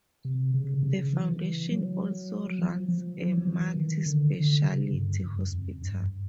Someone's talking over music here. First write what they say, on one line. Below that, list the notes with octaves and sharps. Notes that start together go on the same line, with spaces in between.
The foundation also runs a Multi Speciality Hospital.
C3
C#3
C3
C#3
E3
F#3
F3
F3
F3
F#3
F3
E3
D#3
D3
D3
C#3
G2
F#2
F2
G2